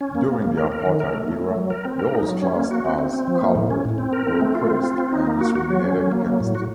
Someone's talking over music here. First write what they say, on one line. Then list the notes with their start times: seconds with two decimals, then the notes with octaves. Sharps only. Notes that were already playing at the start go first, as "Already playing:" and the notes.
During the apartheid era, those classed as "Coloured" were oppressed and discriminated against.
0.01 C#4
0.15 A#3
0.28 A#3
0.42 A#3
0.57 A#4
0.72 A#4
0.86 D#3
1.00 A#4
1.13 A3
1.28 A3
1.42 A3
1.56 F#3
1.70 A#4
1.85 C4
1.99 A#4
2.14 D#4
2.28 F#3
2.42 C#4
2.56 A#3
2.71 F#4
2.85 C4
2.98 C4
3.13 C4
3.28 F3
3.41 A#3
3.56 A2
3.70 C#4
3.85 A2
3.98 C4
4.13 A#4
4.27 C4
4.41 A3
4.55 F4
4.70 C4
4.83 F4
4.98 C4
5.13 D#4
5.27 A#3
5.41 F#4
5.55 F#4
5.70 F#3
5.84 C#4
5.99 F#3
6.12 A#3
6.26 F#3
6.40 A2
6.55 F#4